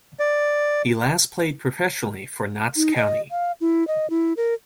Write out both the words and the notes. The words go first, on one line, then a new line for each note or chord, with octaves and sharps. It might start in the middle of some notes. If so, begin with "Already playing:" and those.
He last played professionally for Notts County.
D5
D#4
D#5
F5
E4
D#5
E4
A#4